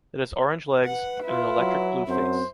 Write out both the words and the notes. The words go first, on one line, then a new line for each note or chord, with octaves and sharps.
It has orange legs, and an electric blue face.
B4 F#5
E4 F4
F#3
F#2 C4 C5